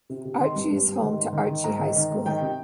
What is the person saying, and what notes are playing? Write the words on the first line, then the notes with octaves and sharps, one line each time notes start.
Archie is home to Archie High School.
C3
C3
D#3 C6
G2
G2
G2
D#3
G#2
D#3
D#3
G#2 A#5
D#3
D#3
G#2
D#3 G5
C3